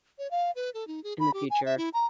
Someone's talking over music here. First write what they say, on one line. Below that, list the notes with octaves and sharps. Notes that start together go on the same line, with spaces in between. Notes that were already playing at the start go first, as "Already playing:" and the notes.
in the future,
C#5
F5
B4
A4
D#4
G#4
B5
G4
G#5
E5
E4
A#5